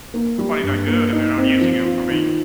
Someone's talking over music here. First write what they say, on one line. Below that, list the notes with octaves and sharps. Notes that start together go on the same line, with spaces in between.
somebody that good, and they're not using him, I mean
A#3
G3
G2
A#3
D#4
C4
F3
F4
D#3